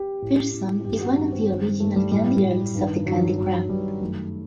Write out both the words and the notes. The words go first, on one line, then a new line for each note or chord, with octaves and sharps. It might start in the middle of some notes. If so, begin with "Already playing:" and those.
Pearson is one of the original Candy Girls of the "CandyCrib".
Already playing: G4
A2
A2
G2 D#3 G4
F#4
G2 D#3
C4
G2 D#3
G2 D#3 A3
G3
A2 G3
A2
G2 D#3
G2 D#3 F#3
G2 D#3 F#3
G2 D#3 G3
F#2 D#3 A3